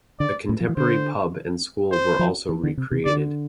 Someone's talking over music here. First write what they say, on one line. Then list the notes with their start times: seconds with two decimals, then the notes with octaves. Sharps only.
A contemporary pub and school were also recreated.
0.20 D3 D5
0.49 A2
0.60 F3
0.69 E3
0.77 D3 C5
1.92 C5
2.19 F3
2.49 E3
2.63 D3
2.77 C3
2.92 C3
3.06 D3 D5